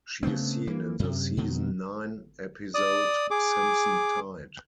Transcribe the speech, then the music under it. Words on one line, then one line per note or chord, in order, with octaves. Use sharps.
She is seen in the season nine episode "Simpson Tide".
C#3 A3 B3 C4
E3 A#3
F#2 C3
F2 B2 D#3
D5 D#6
G#4 D6